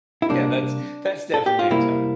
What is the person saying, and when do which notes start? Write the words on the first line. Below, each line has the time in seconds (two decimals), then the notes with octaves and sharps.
Yeah, that's that's definitely a time.
0.22 E4
0.29 C3 G3 A#3 D4
1.34 A4
1.46 G4
1.59 F4
1.70 C3 G3 A#3 E4